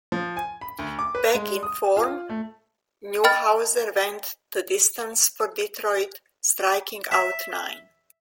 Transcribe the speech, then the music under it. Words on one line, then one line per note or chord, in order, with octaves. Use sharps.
Back in form, Newhouser went the distance for Detroit, striking out nine.
F3
G#5
B5
D2
D6
B4
G#3
D#6
F4
A3
D#5 G5 B5 F6 A6
E5